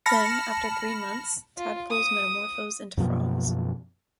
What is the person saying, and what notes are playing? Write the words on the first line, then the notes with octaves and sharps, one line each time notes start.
Then, after three months, tadpoles metamorphose into frogs.
A5 B5 F6 A#6 C#7
F4
D#6
F#2 B2 F3 A#3